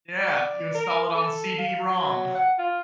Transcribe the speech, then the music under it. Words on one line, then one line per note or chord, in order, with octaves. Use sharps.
Yeah, you install it on CD-ROM.
D5
A#4
A4
F5
F#3
F#5
F4